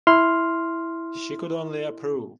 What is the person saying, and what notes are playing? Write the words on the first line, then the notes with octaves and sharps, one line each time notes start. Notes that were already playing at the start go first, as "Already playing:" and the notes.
She could only approve.
E4 C6 F6